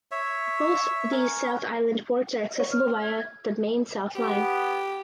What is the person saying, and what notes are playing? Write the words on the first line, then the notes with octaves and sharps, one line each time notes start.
Both these South Island ports are accessible via the Main South Line.
C#5 E5
C#4 A#4 C#5
C#5
F6
G#6
B3 G4